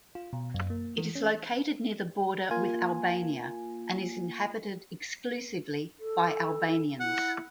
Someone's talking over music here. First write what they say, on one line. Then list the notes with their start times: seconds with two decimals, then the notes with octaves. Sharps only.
It is located near the border with Albania and is inhabited exclusively by Albanians.
0.15 F4
0.33 B2
0.54 F#2
0.70 A#3
0.98 E3
1.15 C#4
2.51 A#3 F4 G#5
6.00 A4
7.00 E4 F#5